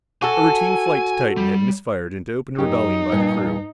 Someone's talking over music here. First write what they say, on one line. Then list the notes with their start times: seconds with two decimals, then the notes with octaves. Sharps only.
A routine flight to Titan had misfired into open rebellion by the crew.
0.22 F#4 A4 G#5
1.37 G3
2.58 F#2 D#4 G4
3.12 G2 A#2